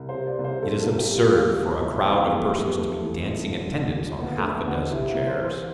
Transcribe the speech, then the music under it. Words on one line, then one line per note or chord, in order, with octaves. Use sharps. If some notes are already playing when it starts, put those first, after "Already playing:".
It is absurd for a crowd of persons to be dancing attendance on half a dozen chairs.
Already playing: C2
C5
C3
D5
C2
C5
B2 A4
A4
C2
G4
G3
F4
C2 G4
B2
C2 E4
E3 C4
B3
F2
A3
G3
B3
F2 A3
E3
F2
D3
D2
F3
D2 B3
A3
D3
B3
D2
C3 E4
E4
C2
C5
E3
C5